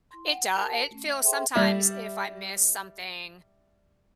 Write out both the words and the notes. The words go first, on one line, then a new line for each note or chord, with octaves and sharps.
It doe it feels sometimes, if I miss something,
E4 C6
F#5 G5
G4 A#4 C5 A5
A3 C#4
E5
G#4 A4 C5 E5 G5 C6
G3 E5